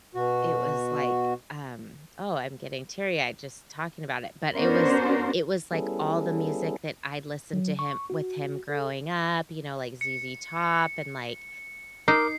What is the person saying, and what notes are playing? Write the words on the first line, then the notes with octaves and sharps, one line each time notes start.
it was like, um oh, I'm getting teary-eyed just talking about it, but it was it was like all the music that I'd listened to him with him growing up, you know, like ZZ Top and, like,
B2 F#4
B3 C#4 D4 F#4 A#4 C5
G3 B3 C#4 E4 G#4 A4
F#3
C#6
F#4
A4
C#7
D#4 A#4 D6 C7